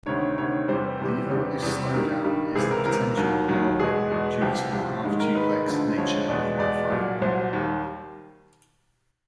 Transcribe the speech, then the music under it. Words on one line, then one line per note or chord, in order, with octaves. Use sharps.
The only slowdown is the potential halving due to the half-duplex nature of wifi.
D2 C3 D#3 C#5
D2 C3 D#3 C#5
E2 C3 E3 G3 C5
E2 C3 E3 G3
E2 C3 E3 G3
E2 C3 E3 G3
G2 D#3 G3 A#4
G2 D#3 G3
C#2 C3 E3 G#4
A#4
C#2 C3 E3 A#4
D#2 D#3 F#3
D#2 D#3 F#3
E2 B2 G#3 G#4
E2 B2 G#3
C2 C3 F3 G4
C2 C3 F3
G#2 D#3 G#3
A#4
G#2 D#3 G#3 B4
D2 D3 F3 G#3
D2 D3 F3 G#3 C#5
E2 B2 G#3 D5
E2 B2 G#3 D5
C2 A#2 F#3
C2 A#2 F#3 C5
D#2 D#3 G3